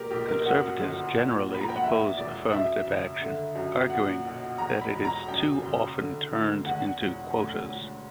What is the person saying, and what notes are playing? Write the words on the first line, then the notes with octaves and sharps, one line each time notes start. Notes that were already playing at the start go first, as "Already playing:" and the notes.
Conservatives generally oppose affirmative action, arguing that it too often turns into quotas.
Already playing: A#2 G4 A#4
B1 G4
A#4
F#2 F#5
G1
A#2
A#1
B5
A#5
G5
F#5
E2 E5
E1 D5
F#2 E5
F#1
D3
F#2
A#2 F#5
B1
E2 A#5
B5
E1
A#5
F#2 G5
F#1
D3
D2
E2 F#5
E1
D2
E1